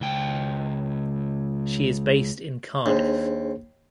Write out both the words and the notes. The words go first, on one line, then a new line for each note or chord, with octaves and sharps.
She is based in Cardiff.
C#2 G5
D#2 D4 G#4 C5